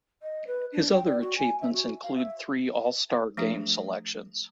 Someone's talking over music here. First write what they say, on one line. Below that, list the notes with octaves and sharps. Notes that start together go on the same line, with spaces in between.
His other achievements include three All-Star Game selections.
D#5
B4
D4
G5
D5
F#4
G#5
E5
F#4
F5
E5
F3 A3 D4 G#4